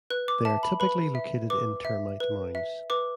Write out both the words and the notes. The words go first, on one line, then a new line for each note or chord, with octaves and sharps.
They are typically located in termite mounds.
B4 F#6
D6
E5 A5
B5
B4 B5
E5
B4 D6
E5
B4
E5
B4 D6